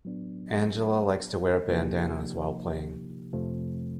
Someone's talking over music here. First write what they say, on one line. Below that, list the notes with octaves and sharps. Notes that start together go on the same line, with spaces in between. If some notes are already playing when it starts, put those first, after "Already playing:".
Angela likes to wear bandanas while playing.
A2 F#3 B3 D4
C3 F3 A#3 D#4 G4
F2 C3 F3 A3 C4